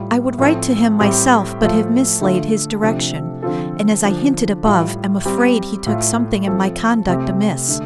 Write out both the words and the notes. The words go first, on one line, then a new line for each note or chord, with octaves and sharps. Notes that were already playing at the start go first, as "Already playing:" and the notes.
I would write to him myself, but have mislaid his direction; and, as I hinted above, am afraid he took something in my conduct amiss.
Already playing: A2 G3 F4
A2 F3 C4 A4
A2 G3 C4 G4
A2 F3 A3 F4 A4
D3 A3 F4 A4
C3 F3 A3 D4 A4
D3 F3 C4 F4 A4
D3 F3 D4
A2 G3 F4
G3 C4 G4
A2 A3 F4
F3 C4 A4
C3 A3 C4 G4
D3 A3